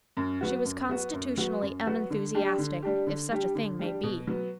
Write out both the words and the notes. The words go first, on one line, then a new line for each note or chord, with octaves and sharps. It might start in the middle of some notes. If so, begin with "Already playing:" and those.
She was constitutionally unenthusiastic, if such a thing may be.
F#2
F#3 B3 F#4
F#2
F#3 B3 F#4
F#2
F#3 B3 F#4
F#2
F#3 B3 F#4
D3
G3 D4 G4
D3
G3 D4 G4
D3
G3 D4 G4
D3
G3 D4 G4
B2
F#3 B3